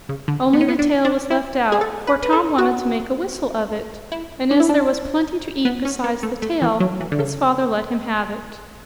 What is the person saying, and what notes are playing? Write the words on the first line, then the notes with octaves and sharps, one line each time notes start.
Only the tail was left out, for Tom wanted to make a whistle of it, and as there was plenty to eat besides the tail his father let him have it.
C#3
D3
B3
C#4
B3
D4
D4
E4
G#4
A4
B4
B4
A4
F#4
E4
D4
E4
D4
B3
C#4
B3
A3
A3
E3
F#3
E3
D3
C#3